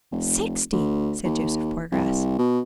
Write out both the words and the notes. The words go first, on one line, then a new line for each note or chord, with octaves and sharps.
"Sixty!" said Joseph Poorgrass.
F1
D2
D#2
C2
B2